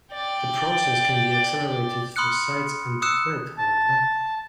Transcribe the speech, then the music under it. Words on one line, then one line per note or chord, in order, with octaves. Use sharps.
The process can be accelerated for sites under threat, however.
D5 G5
B5 C6 D#6 F6 F#6 C#7
D#6 E6 F#6 C#7 E7
A5